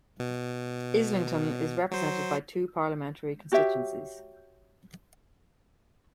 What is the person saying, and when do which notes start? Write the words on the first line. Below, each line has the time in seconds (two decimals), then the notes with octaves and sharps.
Islington is represented by two parliamentary constituencies.
0.20 B2
1.91 F#3 C5
3.52 F#4 G4 C#5 E5